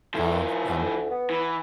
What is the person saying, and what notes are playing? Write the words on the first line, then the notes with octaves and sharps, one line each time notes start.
I'll I'll
F3 A3 E4
A#3
D2
B3
E3